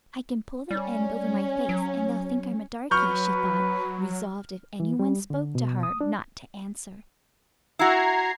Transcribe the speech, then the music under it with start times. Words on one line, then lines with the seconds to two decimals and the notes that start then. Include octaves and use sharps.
"I can pull the end over my face, and they'll think I'm a darky," she thought, resolved if anyone spoke to her not to answer.
0.71 G3 C#4
1.69 F#3
2.91 F#3 B4 C#6 F6 G6
4.80 E3
4.99 G3
5.30 D3
5.55 B2
5.83 D#6
6.01 D4
7.79 E4 F#4 A#5 G#6 C7